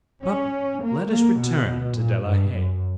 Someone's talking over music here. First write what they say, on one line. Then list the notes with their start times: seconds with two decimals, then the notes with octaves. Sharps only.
But let us return to De la Haye.
0.24 C#4
0.83 A#3
1.10 A#3
1.39 B2
1.96 A#2
2.25 G2
2.54 F#2